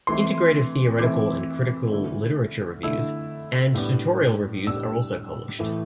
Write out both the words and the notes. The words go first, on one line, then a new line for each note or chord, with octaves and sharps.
Integrative theoretical and critical literature reviews, and tutorial reviews are also published.
E3 A3 C4 E4 C6
E3 A3 C4 E4 D6
D3 A3 E4
D3 A3 E4 E6
A2 G3 B3 D4
A2 G3 B3 D4 E6
A2 E3 A3 E4